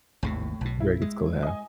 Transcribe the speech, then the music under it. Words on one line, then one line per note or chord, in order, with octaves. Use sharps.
Very good skill to have.
G#1 D#2 A2 C3
B1 B2
E4
G#3
D#5 G#5